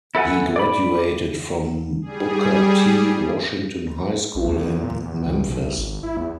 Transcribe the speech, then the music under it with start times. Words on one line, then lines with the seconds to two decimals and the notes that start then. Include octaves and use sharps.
He graduated from Booker T. Washington High School in Memphis.
0.15 E4 A4 F#5 G#5
0.56 D5 B5
2.02 G3 G#4
4.35 A#1
4.49 E2
4.83 A#2
5.01 E2
5.25 C#2
5.46 B1
5.62 C2
5.77 G#1
6.03 E4
6.17 E2